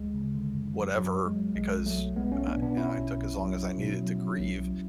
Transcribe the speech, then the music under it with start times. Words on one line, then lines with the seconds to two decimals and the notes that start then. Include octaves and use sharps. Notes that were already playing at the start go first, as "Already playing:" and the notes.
whatever because I I took as long as I needed to grieve,
Already playing: D2 G#3
0.14 C#3
0.34 D3
0.54 F#2
0.75 F#3
0.95 F#2 F#3
1.15 F#3
1.26 G#3
1.35 F#3
1.55 B1 G#3
1.76 B1
1.86 F#3 A3
1.97 B1
2.16 B1 G#3 B3
2.32 A3 C#4
2.37 B1
2.47 B3 D4
2.57 B2
2.62 B3 D4
2.77 B2 C#4 E4
2.98 B1
3.18 B1
3.38 F#3
3.58 F#3
3.78 B2
3.99 F#3
4.19 F#3
4.40 B1
4.60 F#3